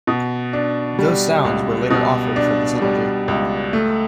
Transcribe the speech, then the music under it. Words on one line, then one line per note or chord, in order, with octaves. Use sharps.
Those sounds were later offered for the Synergy.
B2
D4
G3
C#2
B2
D4
G3
C#2
A3